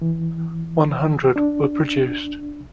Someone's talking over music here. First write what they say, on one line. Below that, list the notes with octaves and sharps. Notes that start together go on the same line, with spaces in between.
One hundred were produced.
E3
D4